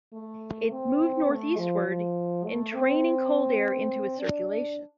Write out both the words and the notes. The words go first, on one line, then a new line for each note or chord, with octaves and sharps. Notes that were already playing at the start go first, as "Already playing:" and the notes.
It moved northeastward, entraining cold air into its circulation.
A3
C4
A3
F3
F3
A3
C4
D4